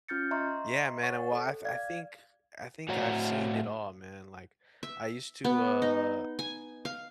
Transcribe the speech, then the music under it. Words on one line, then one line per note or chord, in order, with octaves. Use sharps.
Yeah, man, and well, I I think I think I've seen it all, man, like, I used to, uh
C#4 F4 F6 G6 A6 C#7
D#5 E5 A#5 C6 C#6
C#5 F#5 C#6 A6
A4
D5 F5 G#6
A2 F#4 C5 C#5 F#5 A#5
E5
B3
D#4
G#5
F5